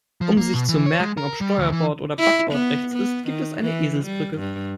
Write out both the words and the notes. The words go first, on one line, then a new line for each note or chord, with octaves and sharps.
Um sich zu merken, ob Steuerbord oder Backbord rechts ist, gibt es eine Eselsbrücke.
F3
A#3
B2
E3
C#5
G#3
A#4
G3
D2
E3
E4
B3
B3
D#3
E3
G3
G2